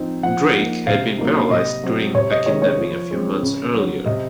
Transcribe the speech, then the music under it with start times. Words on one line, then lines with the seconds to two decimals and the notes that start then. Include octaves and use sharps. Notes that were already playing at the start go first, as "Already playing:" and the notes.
Drake had been paralyzed during a kidnapping a few months earlier.
Already playing: F3 C4 D#4
0.23 F3 F#5
0.56 A#3 D#4
0.87 C3 F5
1.18 F#3 A#3 D#4
1.51 C3 D#5
1.83 F#3 C4
2.15 C3 C#5
2.31 D#5
2.46 D#3 G#3 C#4 C#5
2.62 C#5
2.78 F3
3.11 G#3 C4
3.43 C#3
3.74 F#3 C#4
4.06 C3 D#5